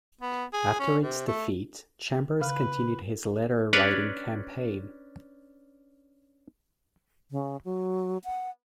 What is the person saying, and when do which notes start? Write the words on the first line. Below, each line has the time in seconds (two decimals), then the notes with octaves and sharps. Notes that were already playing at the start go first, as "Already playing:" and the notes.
After its defeat, Chambers continued his letter writing campaign.
0.21 B3
0.53 G#4
0.79 C#4
1.02 C3
1.28 A3
2.41 C#3 B4 F5 F6
3.73 C#4 D4 B4 C#5 D5
7.31 C#3
7.65 F#3
8.24 F#5